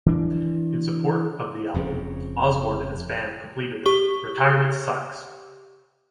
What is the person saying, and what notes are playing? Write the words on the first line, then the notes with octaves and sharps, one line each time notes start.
In support of the album, Osbourne and his band completed the Retirement Sucks!
E3 D4
F1 F2 A2 C#3
G4 C#6 G7